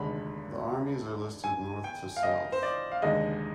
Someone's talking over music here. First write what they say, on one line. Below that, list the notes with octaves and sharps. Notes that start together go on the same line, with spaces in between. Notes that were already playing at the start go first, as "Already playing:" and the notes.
The armies are listed north to south.
Already playing: F1 D#2 D3 G#3 B5
G#5
G5
F5
D#5
C5
D5
F5
F1 D#2 D3 G#3 D#5